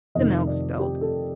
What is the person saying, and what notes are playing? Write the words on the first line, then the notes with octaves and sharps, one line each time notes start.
the milk spilled.
F1 F2 D#3 D#5
D5
G4
A4